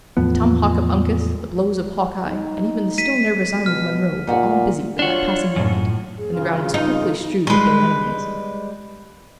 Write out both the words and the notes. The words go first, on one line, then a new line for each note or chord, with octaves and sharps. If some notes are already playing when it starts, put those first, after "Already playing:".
The tomahawk of Uncas, the blows of Hawkeye, and even the still nervous arm of Munro were all busy for that passing moment, and the ground was quickly strewed with their enemies.
E2 A2 F3 B3
D#4
B6 D#7
B2 F6
A#2 D#4 F#4
D4 F4 F#4 C#5
F#2 A2
G#4
G2 C#3 F4
D#4
A4
D#4
G3 G#3 B4 C6